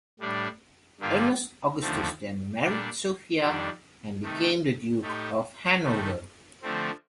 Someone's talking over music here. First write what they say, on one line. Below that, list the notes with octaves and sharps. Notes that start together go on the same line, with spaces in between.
Ernest Augustus then married Sophia and became the Duke of Hanover.
A2 G3 D4
G2 D3 G3 A#3 F4
D#2 D3 F3 A3 C4
A#2 G3 D4
F2 D#3 G3 D4
C3 D#3 A3 D#4
A2 A3 D#4 G4
C3 D#3 A3 D#4
D3 F3 A3 C4